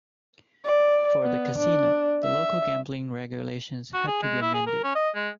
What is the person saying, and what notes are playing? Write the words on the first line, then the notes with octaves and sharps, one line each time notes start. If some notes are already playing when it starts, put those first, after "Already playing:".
For the casino, the local gambling regulations had to be amended.
D5
B3
D4
E5
F#4
G#4
G#3
E4
G#4
A#4
C#4
D#5
G#3